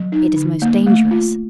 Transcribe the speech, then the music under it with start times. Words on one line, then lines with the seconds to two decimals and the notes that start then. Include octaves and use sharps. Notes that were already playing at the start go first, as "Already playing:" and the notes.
"It is most dangerous."
Already playing: F#3
0.12 D#4
0.36 D3
0.62 A#3
0.87 A3
1.11 F4